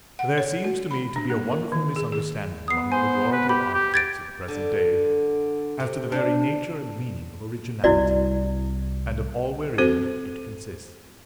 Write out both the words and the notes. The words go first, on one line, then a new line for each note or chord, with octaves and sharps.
There seems to me to be a wonderful misunderstanding among the majority of architects at the present day as to the very nature and meaning of Originality, and of all wherein it consists.
F#5
C#5
F#4
B5
D4
A#3
A#4
D#3
G#4
G#4
B3 D#6 C7
C5 G#5
B4
G4 B5
G4
G4 G#6 A6 D7
D3
C3
D4
C2 C4 E4 F#4 D5
C4 F#4 A4 C5